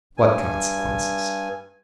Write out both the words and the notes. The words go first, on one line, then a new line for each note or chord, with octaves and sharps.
"What consequences?"
G2 G#5